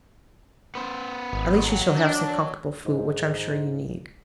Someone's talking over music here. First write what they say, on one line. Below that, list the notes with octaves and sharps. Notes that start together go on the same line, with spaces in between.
'At least you shall have some comfortable food, which I'm sure you need.'
B3 C5
G#1
C#5 F#5
D4
G#2